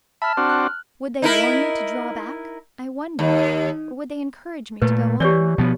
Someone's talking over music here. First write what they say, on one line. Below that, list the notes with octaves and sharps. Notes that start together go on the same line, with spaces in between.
Would they warn me to draw back, I wonder? or would they encourage me to go on?
E5 A5 B5 F6
C4 D4 F#4 F6
F#6
D#4 E4 A#4
D#2
A#2 A3 B4
E3 G4 C#5 D5
B2 F3 B3